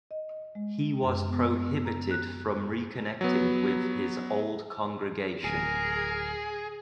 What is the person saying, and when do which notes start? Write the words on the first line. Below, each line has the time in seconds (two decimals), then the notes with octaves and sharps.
He was prohibited from reconnecting with his old congregation.
0.11 D#5
0.55 G#3
1.03 F#2
1.29 B3
1.85 A#5
2.11 F#6
3.21 F#3 B3
5.44 D1 G#4 A#4